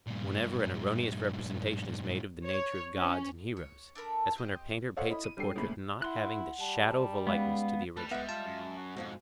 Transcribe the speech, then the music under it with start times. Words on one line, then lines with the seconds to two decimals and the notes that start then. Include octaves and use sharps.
Whenever an erroneous representation is made of the nature of gods and heroes,--as when a painter paints a portrait not having the shadow of a likeness to the original.
0.07 G2 A#2
2.46 C#5
2.96 C#4
3.57 C#5
3.95 D4 A4 A#4 B5
4.35 C4 G4 D#5
4.97 A4 C5 C#5 D#5 F5 F#5
5.10 E4 D#5 B5
5.24 D#7
5.37 G3 D4 A4 G5 C7
5.55 G1 C#2 A#2 A3 B5
6.02 E4 F#5 C6 F#6
6.60 G3 A5
7.27 G#3 B3 C#4 F5
7.97 G3 A3 B4 A5
8.11 G#3 B3 E5 F#5
8.29 F4 A5
8.46 F#2
8.76 F#4
8.96 F2 G#2 B2 F4